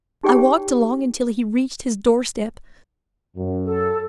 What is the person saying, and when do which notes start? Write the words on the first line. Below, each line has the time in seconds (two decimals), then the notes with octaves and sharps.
I walked along until he reached his door step.
0.23 D#4 G4 G#4 C#5 D5 G5
3.36 F#2
3.65 A4